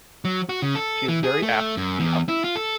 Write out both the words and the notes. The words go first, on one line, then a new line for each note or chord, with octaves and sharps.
She is very apt to be huffy.
F#3
F#4
C#3
A4
E3
G#4
A3
F#2
E2
E4
F4
A4